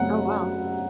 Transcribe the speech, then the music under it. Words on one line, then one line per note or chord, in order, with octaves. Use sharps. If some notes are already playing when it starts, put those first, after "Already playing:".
Oh, wow.
Already playing: F#2 A3 C4 F#5